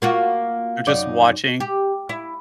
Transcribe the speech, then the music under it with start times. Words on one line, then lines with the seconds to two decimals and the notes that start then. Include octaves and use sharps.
They're just watching
0.02 A#3 F4 F#4
0.87 F#2 D#4 D5
1.60 G4
2.09 E4